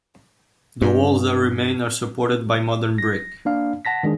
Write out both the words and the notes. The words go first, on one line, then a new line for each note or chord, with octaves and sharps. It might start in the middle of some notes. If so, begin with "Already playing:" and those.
The walls that remain are supported by modern brick.
G2
A#6
A#3 D4 F5
F#5 A5 A#6 B6
D#3 G#3 D4 G#4